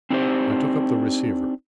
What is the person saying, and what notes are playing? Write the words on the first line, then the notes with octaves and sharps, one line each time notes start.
I took up the receiver.
C4 D4 D#4 G4 A#4 C5